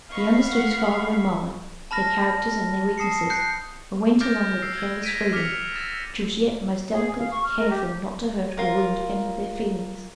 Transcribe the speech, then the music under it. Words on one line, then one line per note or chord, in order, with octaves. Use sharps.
He understood his father and mother--their characters and their weaknesses, and went along with a careless freedom, which was yet most delicately careful not to hurt or wound any of their feelings.
D#5 F5 B5 C#6
F5 F#5
A5 B5 F6 A#6
A5 D#6 C7 C#7
F#6 G6 C7 C#7
D6 F6 G6 A6 A#6 D7
E6 C7
G#6
G#6 A#6 B6 D7 D#7
D6 F6 G#6 B6 C#7 F7
E6 A6 E7
G#4
F5
C#6
F6
A#4
G4
F4 A#4